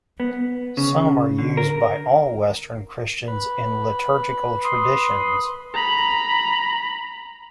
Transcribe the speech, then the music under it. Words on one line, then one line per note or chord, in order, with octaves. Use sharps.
Some are used by all Western Christians in liturgical traditions.
B3
C#3
D3
A#4
B4
C6 D#6
A#5 B5